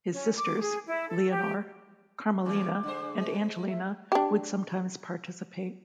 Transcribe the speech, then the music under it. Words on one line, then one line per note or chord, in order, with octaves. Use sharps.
His sisters, Leonor, Carmelina and Angelina would sometimes participate.
C#4
D6
G#4
E4
A4
G4
C#3 E3 G3 D6
D3 G#3 C5
G#3
E5
D4 G4